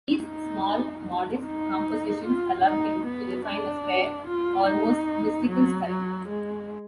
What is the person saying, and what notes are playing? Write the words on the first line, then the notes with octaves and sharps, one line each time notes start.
These small, modest, compositions allowed him to refine a spare almost mystical style.
D#4
D#4
F4
D#4
B3
D4
F4
D#4
F#3
F#3
G#3